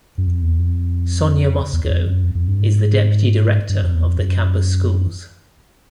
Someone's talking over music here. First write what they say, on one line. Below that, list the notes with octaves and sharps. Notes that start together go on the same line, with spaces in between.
Sonya Mosco is the deputy director of the Campus Schools.
F#2
F2
E2
F2
E2
E2
F2
F#2
F2
F2
G2
G#2
G2
F2
E2
F2
F#2